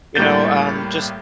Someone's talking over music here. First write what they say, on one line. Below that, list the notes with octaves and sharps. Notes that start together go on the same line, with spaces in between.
you know, um, just
A2 G3 A#3 G6 A6